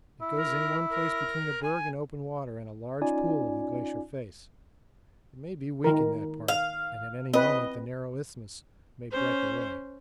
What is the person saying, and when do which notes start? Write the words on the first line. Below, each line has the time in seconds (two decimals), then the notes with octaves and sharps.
It goes in one place between a berg in open water and a large pool of the glacier face--it may be weak in that part, and at any moment the narrow isthmus may break away.
0.21 E4
0.35 A#4
0.89 A#4
1.62 G#5
3.01 C#4 D#4 F4 D5 G#5
5.84 D#3 A#4
6.48 F5
7.34 C4 B4 D#5
9.12 C#4 C5